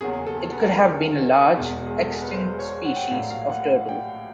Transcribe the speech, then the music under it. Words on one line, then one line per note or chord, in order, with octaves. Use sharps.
It could have been a large, extinct species of turtle.
E2 C#3 F#3 A#3 C#4 G#4
A4
B4
A#4
A4
A#4
E1 E2 B2 G#3
G#4
A4
A#4
B4
C5
C#5
F#5
G5
F#5
A#1 A2 F#3 A#3 F5
F5
F#5
G5